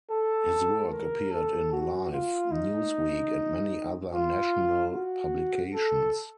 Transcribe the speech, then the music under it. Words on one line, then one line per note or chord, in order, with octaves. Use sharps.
His work appeared in "Life", "Newsweek" and many other national publications.
A4
A#4
A4
F#4
F4
D#4
F4
F#4
A4